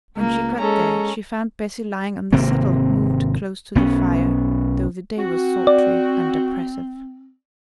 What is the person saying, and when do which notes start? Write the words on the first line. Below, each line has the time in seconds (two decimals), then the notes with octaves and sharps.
When she got there, she found Bessy lying on the settle, moved close to the fire, though the day was sultry and oppressive.
0.17 C#2 A#3
0.58 G#3 C#4 A4 A#5
2.33 G#1 C3 A#3 C4
3.75 B1 B3 C#4
5.17 C4 F#4
5.67 D5